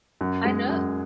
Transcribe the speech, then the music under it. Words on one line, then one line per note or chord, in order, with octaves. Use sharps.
I kno
F#2
G#3
F#2